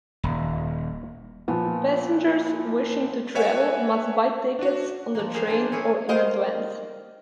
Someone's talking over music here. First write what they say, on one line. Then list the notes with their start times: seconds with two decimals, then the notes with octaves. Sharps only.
Passengers wishing to travel must buy tickets on the train or in advance.
0.23 D#1
1.48 A#2 F3 B3
3.35 B4 C#5 E5 F#5 G#5
4.59 D4 F#4
5.15 F3 A#3
5.34 A#3 G#4 C5 F5
5.47 C4 D4
5.72 C#4 E4 G#4
6.08 A#4 C5 D#5 F5 G5